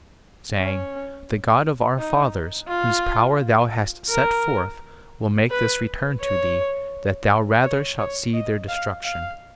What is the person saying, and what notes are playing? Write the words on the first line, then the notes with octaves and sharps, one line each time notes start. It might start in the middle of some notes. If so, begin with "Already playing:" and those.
Saying: The God of our fathers, whose power thou hast set forth, will make this return to thee, that thou rather shalt see their destruction.
C#4
D#4
F4
A#4
B4
C#5
C#5
C#5
D#5
F5
F5